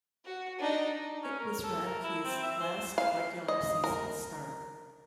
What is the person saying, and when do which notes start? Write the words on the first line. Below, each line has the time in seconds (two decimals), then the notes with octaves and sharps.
It was Radke's last regular season start.
0.24 F#4
0.58 D4 D#4
1.23 C#4
1.40 A#4
1.64 A4
1.85 A#4
2.04 E4
2.25 C4
2.43 E5
2.60 C5
2.98 F5
3.48 D#5
3.84 A#4